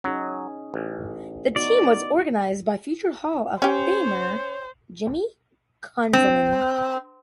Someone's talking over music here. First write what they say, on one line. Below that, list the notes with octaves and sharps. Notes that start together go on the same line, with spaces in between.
The team was organized by future Hall of Famer, Jimmy Conzelman.
F#3 C#4 D#4 G#4
A1
B3 D#4 F#4 D5
C#4 G4 C5 C#5
C4